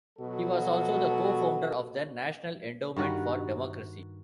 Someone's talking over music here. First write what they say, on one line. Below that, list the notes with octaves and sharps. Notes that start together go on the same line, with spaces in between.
He was also the co-founder of the National Endowment for Democracy.
B2 F#3 F#4 A4
G2 D#3 F#4 B4